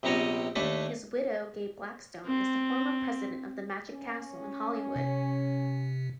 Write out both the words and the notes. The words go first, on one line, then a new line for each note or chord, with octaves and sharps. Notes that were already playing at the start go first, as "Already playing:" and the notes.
His widow, Gay Blackstone, is the former president of The Magic Castle in Hollywood.
A#1 C3 B3 D#4 C#5 D#5
D#2 A3 D4 A4 B4
C4
C#4
C3